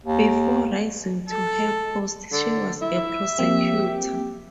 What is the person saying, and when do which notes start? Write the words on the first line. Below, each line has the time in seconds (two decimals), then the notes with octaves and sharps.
Before rising to her post, she was a prosecutor.
0.04 D#2
1.29 A4
2.32 D3
2.82 E4 E5
3.39 F3 A#3 C4 G4